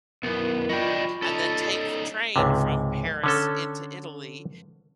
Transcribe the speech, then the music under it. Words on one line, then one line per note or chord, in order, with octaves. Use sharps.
and then take the train from Paris into Italy,
B1 F#2 B3 E4 A#4
F#3 D4 F4 D#5 G5 B5 C#6
C#4 D#4 A4
C#2 G#2 C3
D3 C#4 A4